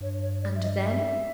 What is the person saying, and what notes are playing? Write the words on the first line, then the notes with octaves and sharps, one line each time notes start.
"And then?"
G2 C#5
C#5
D5
E5
D#5
E5